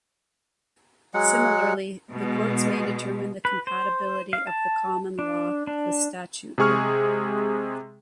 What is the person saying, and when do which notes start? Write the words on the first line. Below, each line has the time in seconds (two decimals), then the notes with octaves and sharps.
Similarly, the courts may determine the compatibility of the common law with statute law.
1.14 F#3 G#3 F#5
2.12 B2 G#3
3.45 B4
3.67 C5
4.33 F5
4.47 A5
5.19 D4
5.67 D4
6.58 C3 G#3 G#4 C#6 F6